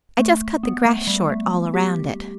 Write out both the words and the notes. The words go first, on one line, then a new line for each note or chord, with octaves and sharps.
I just cut the grass short all around it.
A3
B3
A3
G3
A3
G4